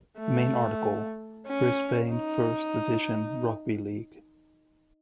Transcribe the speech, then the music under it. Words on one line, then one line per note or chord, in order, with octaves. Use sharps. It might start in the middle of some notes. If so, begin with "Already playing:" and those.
Main article: Brisbane First Division Rugby League.
A3
C#4
D#4